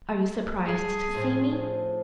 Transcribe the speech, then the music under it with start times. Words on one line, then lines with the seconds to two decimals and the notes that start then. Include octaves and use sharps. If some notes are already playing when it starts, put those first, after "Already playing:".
"Are you surprised to see me?"
0.65 G2 G#4 A4
1.15 A2 F3